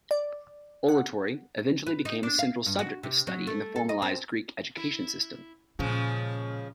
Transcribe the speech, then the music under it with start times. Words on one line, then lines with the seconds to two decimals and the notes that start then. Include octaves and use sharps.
Oratory eventually became a central subject of study in the formalized Greek education system.
0.11 D5
0.88 F#5
1.86 B4
2.05 D#4
2.23 D4
2.39 F5
2.66 G2
2.79 F#4
3.03 C3
3.27 F#3
3.47 A3
3.76 A4
3.89 D#5
4.02 C4
4.77 E4
5.79 A#2 C#3 F3 G#3